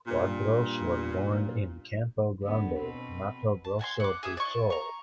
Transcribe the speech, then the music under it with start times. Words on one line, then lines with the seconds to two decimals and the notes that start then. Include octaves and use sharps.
Quadros was born in Campo Grande, Mato Grosso do Sul.
0.07 G2 A#2
2.42 D3 B3
2.77 B2 C4 B4
3.64 A5
3.79 F#5 G#5 A5 C6
4.00 F#5 D6
4.23 G#4 E5 D#6
4.37 D5 C#6
4.70 A#5 C#6